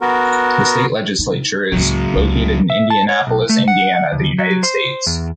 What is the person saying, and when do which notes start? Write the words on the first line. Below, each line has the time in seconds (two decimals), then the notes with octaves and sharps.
The state legislature is located in Indianapolis, Indiana, the United States.
0.01 B3 F#4 A#4
1.19 D#4
1.72 C#2 A2 C#3 F#3
2.15 C#2
2.70 E5
2.90 A5
3.09 C#5
3.27 B1
3.49 A3
3.68 F#5
4.12 D#2
4.39 F#3
4.63 C5
5.06 E2